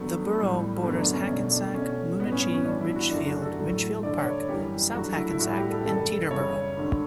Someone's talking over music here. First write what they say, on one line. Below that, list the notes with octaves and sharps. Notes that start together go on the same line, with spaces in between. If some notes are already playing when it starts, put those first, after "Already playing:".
The borough borders Hackensack, Moonachie, Ridgefield, Ridgefield Park, South Hackensack and Teterboro.
Already playing: G2 F#3 A3 B3
A2 G3
F#2 D3 F#3 A3 B3
D4
C#4
B2 A3
D4
B2 A3 C#4
A2 G3 B3
C#4
B3
C#4
G2 E3 G3 D4
E4
F#4
F#2 D3 F#3 A3 D4
F#4
A4
A2 F#3 A3
G2 D3 A3 D5
C#5
F#2 E3 G3 G4
G2 F#3 A3 F#4
E4
E4
A2 G3 F#4
G4
A4
F#2 C#3 G3 A4
F#2 C#3 G3 C#5
G2 D3 A3